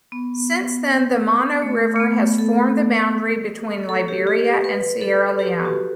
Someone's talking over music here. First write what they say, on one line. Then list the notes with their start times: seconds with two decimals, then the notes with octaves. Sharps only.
Since then, the Mano River has formed the boundary between Liberia and Sierra Leone.
0.12 B3
1.62 A3
1.96 A3
2.00 B3
2.38 A4
3.89 A4
4.08 G4
4.27 G4
4.64 B4
5.01 A4
5.39 G4
5.65 F#4